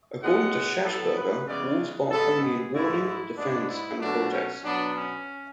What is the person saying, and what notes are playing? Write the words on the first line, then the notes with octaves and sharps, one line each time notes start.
According to Schassburger, wolves bark only in warning, defense, and protest.
A2 G#3 B3 F#5
A2 F#3 B3 A4
B4
C#3 E3 G#3 B3 D5
G#2 G#3 B3 A4
G#4
G#2 E3 A3 E4
E4
G#2 G#3 B3 D4
E4
B2 F#3 A3 D4
C#4
B2 F#3 B3 D4
C#4